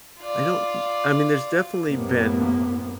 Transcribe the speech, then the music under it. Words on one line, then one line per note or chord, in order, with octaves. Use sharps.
I don't I mean, there's definitely been
F4 D5
F#2 A2 C3 A#3 B3